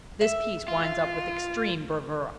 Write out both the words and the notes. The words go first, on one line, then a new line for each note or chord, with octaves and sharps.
This piece winds up with extreme bravura.
E5
F4